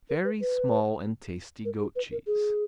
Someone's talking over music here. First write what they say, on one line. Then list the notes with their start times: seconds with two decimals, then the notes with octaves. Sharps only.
Very small and tasty goat cheese.
0.10 A#4
0.24 B4
0.41 B4
1.65 A#4
1.80 G#4
1.96 B4
2.12 A#4
2.27 G#4